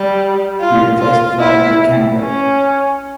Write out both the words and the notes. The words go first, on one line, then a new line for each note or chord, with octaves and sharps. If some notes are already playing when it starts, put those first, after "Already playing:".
He replaced Vladimir Kangur.
Already playing: G3
F4
F4
E4
C#4